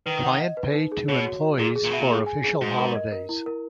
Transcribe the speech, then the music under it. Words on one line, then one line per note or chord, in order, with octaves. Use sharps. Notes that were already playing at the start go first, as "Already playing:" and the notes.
Client pay to employees for official holidays.
D#3 B4
F#5
D#5
B4
D#4
G#4
B2 C#5
F#4
F#4
A#2 G#4
G#4
A#2
B2 E5
A#2
G#4
G#5
G#4
G#2 F#4
A#4
D#5
A#4
E4
A#4